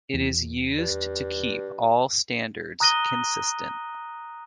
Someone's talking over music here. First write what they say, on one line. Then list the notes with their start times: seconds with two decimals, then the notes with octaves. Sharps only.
It is used to keep all standards consistent.
0.14 E2
0.79 G2
2.80 A#5 D#6 F#6 A#6 D#7 G7